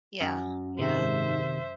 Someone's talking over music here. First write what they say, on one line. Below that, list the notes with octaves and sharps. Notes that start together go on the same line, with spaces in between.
Yeah, yeah.
F#2
G#2 C3 D#3 C5 E5